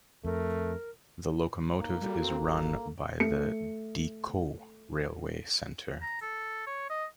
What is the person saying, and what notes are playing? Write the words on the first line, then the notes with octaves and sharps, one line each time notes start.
The locomotive is run by the Didcot Railway Centre.
F2 A3 A#4
A#3 D#4
G3 F#4 A4
C4
G1
A3 C#7
A#5
A4
C#5
D#5